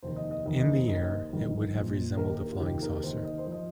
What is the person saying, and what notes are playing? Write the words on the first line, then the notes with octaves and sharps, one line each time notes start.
In the air, it would have resembled a flying saucer.
F1 D#2 D#3 C5
D#5
D#5
F1 D#2 D#3 D#5
D#5
C5
D#2 D#3 D#5
D#5
C5
G1 F2 D#3
A#1 A#2 F3
D#2 D#3 A#4
G4
A#4
F4
F1 D#2 D#3 G4
A#4
A#4
D#2 D#3 C5
D#5
C5
F3 D#5